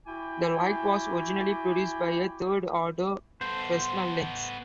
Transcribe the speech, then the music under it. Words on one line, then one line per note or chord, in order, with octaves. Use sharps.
The light was originally produced by a third-order Fresnel lens.
E4 F#4 G5 G#5 D6
B3 A4 C5